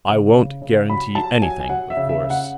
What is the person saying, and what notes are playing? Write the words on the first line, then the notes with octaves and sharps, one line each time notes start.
"I won't guarantee anything, of course...."
C#3
C#3
C#3
F#3 B5
F#3 A5
F#3 G#5
G#5
F#3 F#5
E5
C#3
E5
C#3
F#5